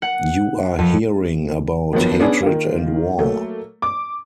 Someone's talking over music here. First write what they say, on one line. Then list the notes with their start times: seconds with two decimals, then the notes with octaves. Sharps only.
You are hearing about hatred and war.
0.02 F#5
0.79 F2
1.93 D#3 F3 F#3 B3 F#4
2.20 B3 C#4 D4 G#4
2.43 D#3 A#3 F4
3.18 F#3 A3 A#3
3.82 D6